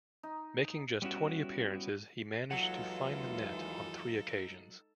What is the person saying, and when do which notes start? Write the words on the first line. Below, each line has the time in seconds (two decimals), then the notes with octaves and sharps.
Making just twenty appearances, he managed to find the net on three occasions.
0.23 D#4
1.02 G3 B3 C#4 E4 F#4
2.51 D#2 E3 F#3 G#3 D#4 F4 A4 F#5